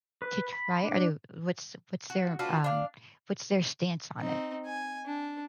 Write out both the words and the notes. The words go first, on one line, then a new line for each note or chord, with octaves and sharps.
to try it? Are they what's what's their, um what's their stance on it?
B4
B5
D4
F#4
D4 F4 F#4 B4
D4 F5
C4 D#4
G#5
D4